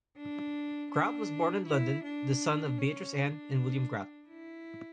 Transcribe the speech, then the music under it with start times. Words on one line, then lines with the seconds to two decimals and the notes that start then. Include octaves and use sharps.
Grout was born in London, the son of Beatrice Anne and William Grout.
0.17 D4
0.91 D4
1.66 E4
2.03 D4
2.78 C#4
3.16 D4
4.28 E4